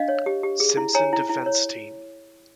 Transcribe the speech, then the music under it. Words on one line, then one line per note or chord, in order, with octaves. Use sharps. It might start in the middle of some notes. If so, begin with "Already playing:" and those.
Simpson defense team.
Already playing: D4 D#5 F5
C#5
G4
G4
G#4
E4
C#5 G#5 A#5
E4
E4
C#5